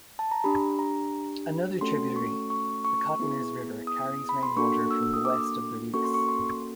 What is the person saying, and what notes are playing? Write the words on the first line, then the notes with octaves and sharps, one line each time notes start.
Another tributary, the Cottoners River, carries rainwater from the west of the Reeks.
A5
A#5
D4 G4 B5
A#5
A3 C#4 F#4 A4 C6
C#6
C#6
C#6
B3 E4 G#4
D#6
B5
C6
A#3 D4 F#4 A4 C#6
E6
E6
D#6
D6
A#3 C#4 F#4 A4 C#6
C6
C#6
C6